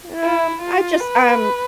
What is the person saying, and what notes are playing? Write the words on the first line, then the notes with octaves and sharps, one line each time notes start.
Um I just um,
E4
F4
B4